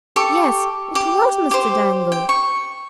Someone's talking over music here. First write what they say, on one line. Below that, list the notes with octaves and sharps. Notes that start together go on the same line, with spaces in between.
"Yes--it was Mr. Dangle."
G4 A4 C#6
G4
G4 C5
G5
C#6